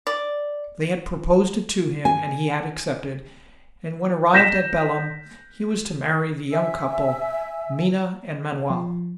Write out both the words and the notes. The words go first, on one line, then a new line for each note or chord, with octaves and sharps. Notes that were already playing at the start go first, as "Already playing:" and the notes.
They had proposed it to him, and he had accepted, and when arrived at Belem he was to marry the young couple, Minha and Manoel.
D5
G#5
G6 A#6 B6 E7
E5 G#5 E6
F3